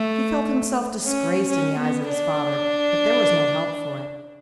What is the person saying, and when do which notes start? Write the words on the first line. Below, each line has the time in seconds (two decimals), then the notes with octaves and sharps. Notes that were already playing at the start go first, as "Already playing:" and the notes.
He felt himself disgraced in the eyes of his father, but there was no help for it.
Already playing: A3
1.05 C#4
1.49 C#4
1.79 B3
2.10 D4